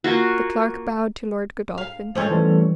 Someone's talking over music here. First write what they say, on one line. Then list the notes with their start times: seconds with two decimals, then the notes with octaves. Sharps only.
The Clerk bowed to Lord Godolphin.
0.04 A#3 F4 F#4
1.78 F5
2.15 F3 G#3 A3 C#4 C5 D#5
2.30 E3 G3